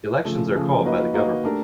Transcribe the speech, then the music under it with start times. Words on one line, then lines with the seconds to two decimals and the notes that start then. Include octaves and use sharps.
Elections are called by the government.
0.25 C#3 F3 A3
0.55 C#3 F3 A3
0.84 A#3 D#4 F#4 B4 D#5
1.14 A#3 D#4 F#4 B4 D#5
1.44 A3 D4 G4 A#4